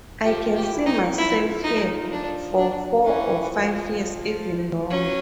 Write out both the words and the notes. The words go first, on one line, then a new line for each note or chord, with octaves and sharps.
I can see myself here for four or five years, even longer.
F3 G4
G4
E3
D#4
F3 E4
D#4
D4
D4
E3 C#4
E3
F3
F#3 C#4